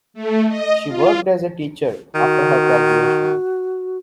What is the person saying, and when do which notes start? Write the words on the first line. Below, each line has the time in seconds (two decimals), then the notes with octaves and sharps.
She worked as a teacher after her graduation.
0.14 A3
0.48 D#5
0.88 F4
2.14 D#3 F#4